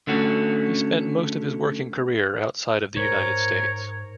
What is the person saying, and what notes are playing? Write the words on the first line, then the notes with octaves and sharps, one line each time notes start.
He spent most of his working career outside of the United States.
D3 A3 C#4 F#4
G#2 A#4 C5 C#5